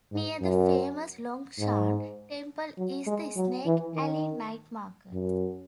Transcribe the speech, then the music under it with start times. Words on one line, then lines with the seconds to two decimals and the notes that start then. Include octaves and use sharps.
Near the famous Longshan Temple is the Snake Alley Night Market.
0.12 G#2
0.41 F#2
1.59 G#2
2.77 F#3
3.07 G#3
3.36 F#3
3.66 E3
3.94 D#3
5.12 F#2